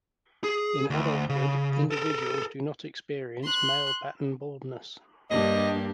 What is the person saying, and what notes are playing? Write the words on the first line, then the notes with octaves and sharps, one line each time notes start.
In adulthood, individuals do not experience male-pattern baldness.
G#4
D2
C#3
A4 A#4
C6 F#6
G2 A#3 D4 G4 D#5